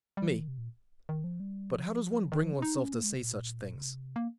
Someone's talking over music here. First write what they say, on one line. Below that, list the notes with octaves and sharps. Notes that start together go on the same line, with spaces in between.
ME: But how does one bring oneself to say such things?
G3
F3
D#3
C3
A#2
D#3
F3
G3
F3
D#3
F3
C#4
D#4
C#4
A#3
G#3
C3
A#2
C#3
C3
A#3